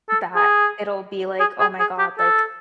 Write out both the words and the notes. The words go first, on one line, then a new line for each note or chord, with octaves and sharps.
That it'll be like, "Oh my god," like,
A4
G#4
G#4
G#4
G#4
G4
A4